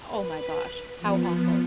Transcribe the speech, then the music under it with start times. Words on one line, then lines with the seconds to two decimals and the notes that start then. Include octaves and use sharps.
oh my gosh, how awful.
0.10 B4
0.99 F3 B3